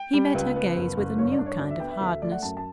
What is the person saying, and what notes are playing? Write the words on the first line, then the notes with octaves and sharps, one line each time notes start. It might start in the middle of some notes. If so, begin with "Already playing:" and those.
He met her gaze with a new kind of hardness.
Already playing: G5
G3
C#2 B4
B3
F#1
F#1
G2 C#5
D5
D4
C#5
D2 D5
E5
B3 G5
E5
D2 E5
E5
A3 D5
F#5
F#2 A5
A5